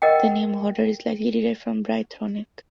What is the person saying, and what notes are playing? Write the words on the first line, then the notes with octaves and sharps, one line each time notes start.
The name Hodder is likely derived from Brythonic.
A#4 D#5 F#5 G5